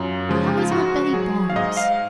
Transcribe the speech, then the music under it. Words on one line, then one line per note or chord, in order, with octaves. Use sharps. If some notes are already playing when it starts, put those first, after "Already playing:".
'How is old Betty Barnes?'
Already playing: F#2 F4
C#3 F3 G#3
D#4
F4
G#2 F#4
F#3 G#4
F5
G#2 D#5
F5